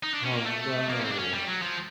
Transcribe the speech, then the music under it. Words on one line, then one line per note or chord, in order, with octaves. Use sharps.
Oh, no.
D#4
D4
C#4
A3
A#3
A3
A#3
C#4
C4
D4
C#4
G3
F#3
F3